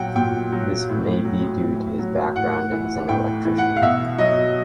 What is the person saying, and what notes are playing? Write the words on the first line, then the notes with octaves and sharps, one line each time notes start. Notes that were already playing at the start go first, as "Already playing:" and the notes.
This may be due to his background as an electrician.
Already playing: A#2 F#3 F#5 G5
A#2 G5
F#3
A2
F#3
A2
F#3
A2 F#5
E3
A2 G5
E3
F#5
F5
B2 E5
F#3 D#5